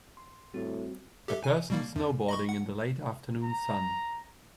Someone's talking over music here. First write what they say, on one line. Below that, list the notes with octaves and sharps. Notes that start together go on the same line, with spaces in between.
A person snowboarding in the late afternoon sun.
C6
A2 G3 C4 F#4
G4 A4 E5
G#5
B2 G3 A#3
F#2
D#5 B5 C#6
F#5
A#5